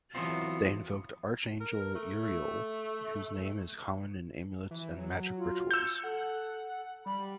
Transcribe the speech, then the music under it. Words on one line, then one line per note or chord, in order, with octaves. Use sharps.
They invoked Archangel Uriel, whose name is common in amulets and magic rituals.
E3 F#3 G#3 B3 C4 F4
A#4
A3
E3
F#3
F4
E6 G6 C#7
A4 F#5
G3 B5